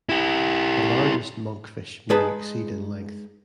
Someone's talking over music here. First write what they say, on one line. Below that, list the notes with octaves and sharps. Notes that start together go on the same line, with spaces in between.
The largest monkfish may exceed in length.
E4 G4
G#3 D#4 G#4 B4 D#5 A5